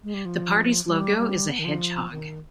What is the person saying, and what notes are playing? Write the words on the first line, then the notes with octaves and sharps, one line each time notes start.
The party's logo is a hedgehog.
G#3
G3
F3
G3
G3
B3
D#3
F3
D#3